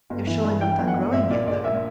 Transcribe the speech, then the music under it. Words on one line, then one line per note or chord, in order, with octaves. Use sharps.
You're surely not done growing yet, though!
G1
E3
G2
E3 G5
G1
F#5
G1
A#1 E5
A#2 D5
A#1 D5
A#2 E5